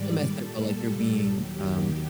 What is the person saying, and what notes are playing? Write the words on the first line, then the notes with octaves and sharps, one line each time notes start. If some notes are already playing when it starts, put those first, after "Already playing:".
not messed up, but, like, you're being, um,
Already playing: G#2 D#3 G3 D5
A#2 G3 A4
D#2 D#3 F#3 G4